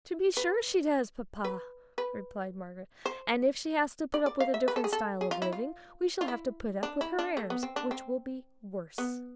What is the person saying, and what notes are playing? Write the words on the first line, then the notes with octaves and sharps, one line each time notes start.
'To be sure she does, papa,' replied Margaret; 'and if she has to put up with a different style of living, we shall have to put up with her airs, which will be worse.
B4
B4
B4
C5
D5
D5
F5
E5
B4
A4
G#4
A4
G#4
F4
E4
F4
F4
E4
D4
E4
D4
A3
B3
C4
D4
C4
B3